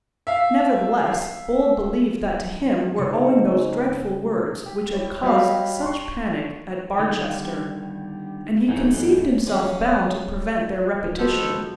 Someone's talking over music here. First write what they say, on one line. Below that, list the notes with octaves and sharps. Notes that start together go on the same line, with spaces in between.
Nevertheless Bold believed that to him were owing those dreadful words which had caused such panic at Barchester,--and he conceived himself bound to prevent their repetition.
E5 F5
G#2 C#3 C#7
G4
E4 C#5
G3 F#4 G4 C#5 D#5 F5
C6 C#6
D3 D#3 G3
F#2 E3 F#3 A3 D#4 G#4
C#3 C#4
F3 G#3
G#3 B3 F#4 A4 C5
G#3